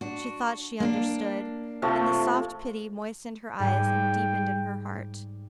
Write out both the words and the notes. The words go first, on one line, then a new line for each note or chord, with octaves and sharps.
She thought she understood, and the soft pity moistened her eyes and deepened in her heart.
D4 F#4
A#3 D4
C3 F3 A3
G#2 G3 G5